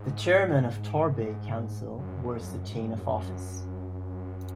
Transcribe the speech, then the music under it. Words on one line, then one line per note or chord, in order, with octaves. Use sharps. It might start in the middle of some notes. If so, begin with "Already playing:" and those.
The Chairman of Torbay Council wears the chain of office.
Already playing: G#2
F#2
F2
F2
F#2
G#2
F#2